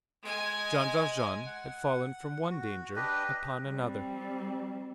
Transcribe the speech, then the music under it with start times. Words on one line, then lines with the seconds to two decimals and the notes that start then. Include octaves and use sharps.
Jean Valjean had fallen from one danger upon another.
0.23 G#3 G#5
1.46 F#5
2.50 F#4
2.96 D4 G4 B4 D#5
3.66 G3 C4